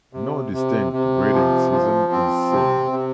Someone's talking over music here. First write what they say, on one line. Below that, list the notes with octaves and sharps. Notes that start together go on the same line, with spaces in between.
No distinct breeding season is seen.
C3
C3
C3
F3
F3
C4
C3
C3